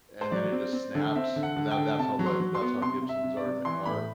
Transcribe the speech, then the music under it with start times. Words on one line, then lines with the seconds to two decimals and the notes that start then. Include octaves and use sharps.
and then it just snaps, and tha that's how tha that's how Gibson's are mea are
0.21 C5
0.31 F#3 D5
0.52 C4
0.73 C4
0.95 D3
1.16 C4 E5
1.36 D3
1.43 F#5
1.56 D3
1.71 G5
1.78 D3
1.98 C3 A5
2.19 F#3
2.26 C6
2.40 F#3
2.55 C6
2.62 B3
2.81 C3 C6
3.02 C3
3.09 E5
3.23 C3
3.37 D5
3.45 C3
3.65 E3 C6
3.86 A2 B5